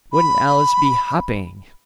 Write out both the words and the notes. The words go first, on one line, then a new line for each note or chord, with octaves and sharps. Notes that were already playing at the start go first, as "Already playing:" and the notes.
Wouldn't Alice be hopping!
B5